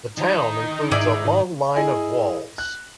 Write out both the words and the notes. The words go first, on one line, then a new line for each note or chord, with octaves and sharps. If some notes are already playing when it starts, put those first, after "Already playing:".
The town includes a long line of walls.
D#3 D#4 A#5
G#2 E4 G#4 D5
E4 G#4 D#5 G#5
F#6